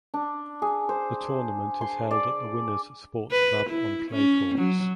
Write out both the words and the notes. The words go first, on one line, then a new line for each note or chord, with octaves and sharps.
The tournament is held at the Winners Sports Club on clay courts.
D4
G#4
C5
C6
D5
B4
E4
C#4
F#3